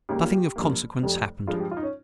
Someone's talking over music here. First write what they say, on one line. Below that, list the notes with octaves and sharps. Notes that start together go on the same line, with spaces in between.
Nothing of consequence hapened.
D#2 C#3 G3 A#3 G4
F4
G4
G2 F3 A#3
F1 F2 C3 G3
G2 F3 G#3 F4
G4
F4
D#4
C#4